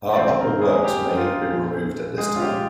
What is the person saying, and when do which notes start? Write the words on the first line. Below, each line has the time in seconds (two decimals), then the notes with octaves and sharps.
Her upper works may have been removed at this time.
0.13 D5
0.17 A#1 G#2 D#3 C4 C5
0.40 A#3 A#4
0.61 G#3 G#4
0.84 G4
1.17 F4
1.51 A#1 A#2 F3
2.18 G#3 G#4
2.36 F4
2.40 G4